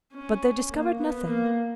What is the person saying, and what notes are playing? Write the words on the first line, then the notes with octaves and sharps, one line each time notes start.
But they discovered nothing.
C#4
A#3
B3
A#3